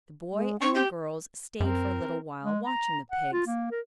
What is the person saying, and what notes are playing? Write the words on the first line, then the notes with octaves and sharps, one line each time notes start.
The boy and the girls stayed for a little while, watching the pigs.
G#3
C4 C#6
G4
F#2 C4 A#4
G#3
A#5
F#5
F4
A#3
A#4